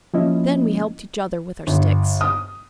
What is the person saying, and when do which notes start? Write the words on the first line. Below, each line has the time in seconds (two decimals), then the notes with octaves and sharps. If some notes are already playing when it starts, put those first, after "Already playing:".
Then we helped each other with our sticks.
0.14 F3 A#3 C#4 E4 D#5
1.67 G1
2.21 D#6